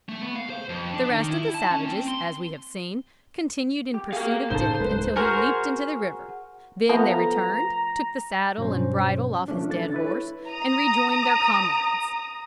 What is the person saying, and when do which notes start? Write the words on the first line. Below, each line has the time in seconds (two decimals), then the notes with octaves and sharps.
The rest of the savages, as we have seen, continued in pursuit of Dick until he leaped into the river; then they returned, took the saddle and bridle off his dead horse, and rejoined their comrades.
0.09 A3
0.22 B3
0.36 F5
0.50 C5
0.69 F2
0.94 D4
1.12 D#3
1.30 E4
1.54 A5
1.71 C#4
1.86 C4
2.08 C6
3.94 G4
4.13 F#4 G#4 A#4 F5
4.50 G1 A2 C#3 D#4 A4 C5
4.80 D1 G#3 B4
5.16 F#4 G#4 A#4 C5
6.89 F3 A3 B3 A#5
8.58 G2 B2 F#3 C#4 C5
9.48 F3 A3 C#4 D4
9.70 D4 A4 A6
9.94 E4 B4 C#5
10.48 A#5 D#6